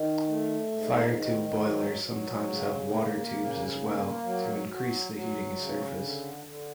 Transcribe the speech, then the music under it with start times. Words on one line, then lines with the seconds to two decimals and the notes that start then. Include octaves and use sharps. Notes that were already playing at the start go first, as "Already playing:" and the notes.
Fire-tube boilers sometimes have water-tubes as well, to increase the heating surface.
Already playing: D#3
0.28 A3
0.72 G#2
1.16 D#3
1.59 F#3
2.03 F#3
2.48 C#3
2.91 A#3
3.36 C#3
3.79 A#3
4.24 F#3
4.68 F#3
5.12 F#3
5.57 C#3
6.00 D3
6.45 D3